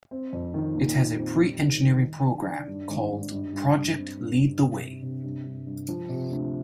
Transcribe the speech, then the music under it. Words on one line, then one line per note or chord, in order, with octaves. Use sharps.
It has a pre-engineering program called "Project Lead the Way".
C4
F2
D#3
A#2
A#2
C4
G3
D#3
D#3
D#3
D4
D4
G2
G#1
G2
G2
G2
G2
C4
G2
G2
C3
C3
C3
G2
G2
G2
F3
C3
D2